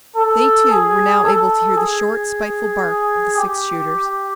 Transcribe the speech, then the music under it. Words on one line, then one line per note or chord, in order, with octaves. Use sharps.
They, too, were now able to hear the short, spiteful bark of the six-shooters.
A4
G#4
A4
G#4
G4